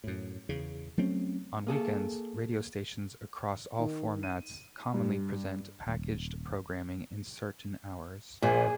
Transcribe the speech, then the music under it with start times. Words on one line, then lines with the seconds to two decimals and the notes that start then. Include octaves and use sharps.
On weekends, radio stations across all formats commonly present "packaged" programming in certain hours.
0.04 F#2 A2
0.49 E2 C#3
0.98 F#3 A3 C4 C#4
1.67 A#3 G#4 A4
3.79 D#3
4.23 D#7
4.94 G2
5.87 D#1
8.43 A#1 A#2 G#4